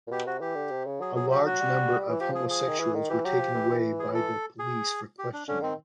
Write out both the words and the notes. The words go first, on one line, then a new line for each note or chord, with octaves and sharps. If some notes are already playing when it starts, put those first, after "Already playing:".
A large number of homosexuals were taken away by the police for questioning.
A#2
B2 G4
C3 F#4
E3 G4
D3
C3
C#3
F#3 G#4
G#4
G4
F#4
G3
E3
F3 G4
G#4
G#4
D#3
E3
D#3
E3 G4
F#3 G4
F3
E3
E3
G#4
A4
G#4
G4
D4
D3 C#4
D#3 C4